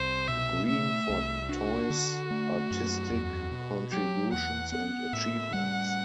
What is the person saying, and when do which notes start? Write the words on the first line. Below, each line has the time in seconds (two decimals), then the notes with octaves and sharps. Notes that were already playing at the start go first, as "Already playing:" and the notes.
Green for Toi's artistic contributions and achievements.
Already playing: C2 C5
0.28 B2 E5
0.68 A3 E5
1.09 C2
1.49 D4 F#4
1.90 D3
2.31 A3
2.71 F#2
3.11 E2
3.51 B2
3.92 F#3 G4
4.33 E2 F#5
4.72 B3 F#5
5.13 A2 E5
5.53 G3 F#5